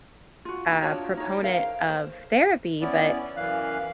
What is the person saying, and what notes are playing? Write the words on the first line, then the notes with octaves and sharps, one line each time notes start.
uh, proponent of therapy, but
F4 F#4
D#4 G5
D4 F4 F#4 C#5
D#4 C#5
A#4 C5 F5 G5
C5
B3 C#4 E4 D5
F#2 E3 F5 F#6